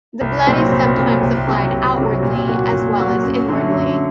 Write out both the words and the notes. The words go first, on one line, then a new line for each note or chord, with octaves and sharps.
The blood is sometimes applied outwardly as well as inwardly.
C2
A#2 F#3 C4
C2
A#2 F#3 C4
C2
C3 F#3
C2
C3 F#3
A#2
F#3 A#3 F#4
A#2
F#3 A#3 F#4
F#2
D3 F#3 A3
F#2